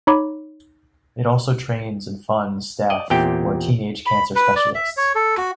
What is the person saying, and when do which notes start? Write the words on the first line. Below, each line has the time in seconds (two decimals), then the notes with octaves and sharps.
It also trains and funds staff who are teenage cancer specialists.
0.07 D#4 C#5 B5 D6
2.90 D5 D#5
3.10 E2 A#2 C4 G4 G5
4.06 B5
4.35 B4
4.56 D5
4.75 E5
4.97 C#5
5.15 A4
5.37 F#4